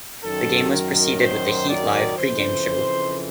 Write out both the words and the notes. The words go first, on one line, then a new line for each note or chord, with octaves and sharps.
The game was preceded with the "Heat Live" pregame show.
F#2 D#3 A4
A#4
C5
D5
F2 C#3 E3 C5